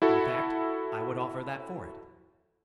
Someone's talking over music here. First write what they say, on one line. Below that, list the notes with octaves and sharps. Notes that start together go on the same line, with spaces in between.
In fact, I would offer that for it.
E4 F#4 A4